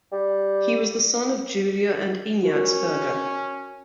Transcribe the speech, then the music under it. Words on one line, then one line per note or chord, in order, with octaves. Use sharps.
He was the son of Julia and Ignatz Berger.
G3
C#4 F#4 A#4